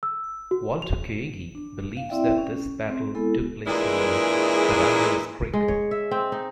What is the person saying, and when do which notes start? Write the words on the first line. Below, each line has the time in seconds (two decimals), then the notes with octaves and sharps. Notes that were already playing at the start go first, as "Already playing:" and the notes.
Walter Kaegi believes that this battle took place near Karamlays Creek.
0.03 E6
0.51 F#4
0.82 F7
1.55 D4
1.97 F5
2.09 C4 E4 D5 E5 G5
2.38 C#4
2.88 C4
3.15 G#3 B3 E4 A4
3.66 A#2 E3 G#3 D4 E4 G#4
5.53 G#3
5.68 C#5
5.91 E5
6.11 C4
6.32 D#4